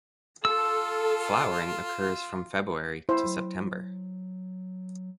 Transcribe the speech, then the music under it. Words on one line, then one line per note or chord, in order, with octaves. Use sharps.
Flowering occurs from February to September.
F4 A4 E6
E4 C5
F#3